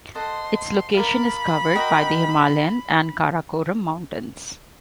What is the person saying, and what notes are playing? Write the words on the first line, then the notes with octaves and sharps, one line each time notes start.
Its location is covered by the Himalayan and Karakoram mountains.
A4 C5 D#5 F#5 C6
A#4 D5 F5 B5
F#4 A#4 D#5 G5